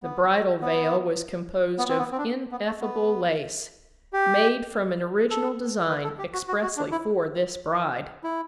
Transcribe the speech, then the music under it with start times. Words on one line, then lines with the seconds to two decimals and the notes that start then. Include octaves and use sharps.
The bridal veil was composed of ineffable lace, made from an original design expressly for this bride.
0.03 B3
0.61 B3
1.78 B3
1.89 C4
1.98 B3
2.12 C4
2.18 D4
2.52 B3
2.66 A3
2.81 B3
4.13 G4
5.30 A4
5.89 B4
6.04 A4
6.19 G4
6.33 F#4
6.48 F#4
6.62 F#4
6.77 D4
6.92 E4
8.24 E4